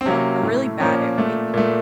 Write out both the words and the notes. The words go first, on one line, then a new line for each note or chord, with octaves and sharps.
um, I'm really bad at waking up
C4
C3 F#3 A#3 C#4
A2 A3
A#2 F3 A#3 C#4
A#2 A3
A#2 A3